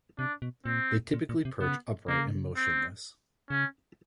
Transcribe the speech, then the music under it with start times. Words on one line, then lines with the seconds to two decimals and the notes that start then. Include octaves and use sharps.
They typically perch upright and motionless.
0.19 C3 D4
0.42 B2
0.65 A#2 C4
1.14 A#2
1.29 A#2
1.45 C3
1.61 C#3 B3
2.08 C#3 A#3
2.56 C4
3.50 C#3 C#4